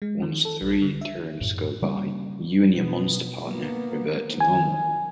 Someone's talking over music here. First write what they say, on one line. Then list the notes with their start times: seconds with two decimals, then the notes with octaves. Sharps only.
Once three turns go by, you and your monster partner revert to normal.
0.02 G#3
0.22 D#3
0.45 A4
0.62 A#1
0.82 D3
1.01 E5
1.41 F#2 A2
1.82 C#3 G3 A#3 C#4
2.72 B2 B3
3.38 A#3 B3
4.40 D#3 G#5